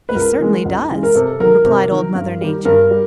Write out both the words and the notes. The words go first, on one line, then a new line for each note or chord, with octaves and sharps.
"He certainly does," replied Old Mother Nature.
B4
C#2 A#4
C#3 E3 G#3
C#2
C#3 E3 G#3
A#4
C3 A4
D#3 F#3 A#4
C3
D#3 F#3
G2
D#3 G3
G2 A#4
G3